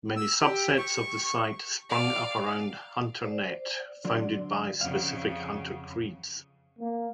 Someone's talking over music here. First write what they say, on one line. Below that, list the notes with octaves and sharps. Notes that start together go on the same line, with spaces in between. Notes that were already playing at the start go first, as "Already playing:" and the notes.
Many subsets of the site sprung up around Hunter-net, founded by specific hunter creeds.
E6
G4
C#6
D5 F5
C5 D5
D3 F#3 D5 C6
F2 C#3 F5 F#5
A#3